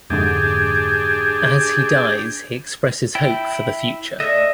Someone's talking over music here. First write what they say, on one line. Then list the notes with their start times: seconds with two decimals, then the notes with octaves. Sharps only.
As he dies, he expresses hope for the future.
0.10 F2 G#2 D3 D4 G4 G#4
3.15 E4 G5
4.20 A3 D4 D#5 E5